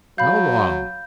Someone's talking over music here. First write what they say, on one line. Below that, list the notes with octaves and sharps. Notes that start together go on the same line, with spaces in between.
"How long?"
F#3 F5 B5 G6